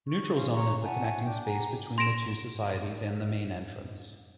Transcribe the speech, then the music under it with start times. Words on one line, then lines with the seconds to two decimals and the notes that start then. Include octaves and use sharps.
Neutral Zone is the connecting space between the two societies and the main entrance.
0.07 C#6
0.34 C#4 F5 C6
0.53 C#5 A#5 C#6
0.83 E5 F#5 G#5 A5
1.24 D4 G5
1.44 F#5 G#5 A#5
1.98 C6 A#6 D7 E7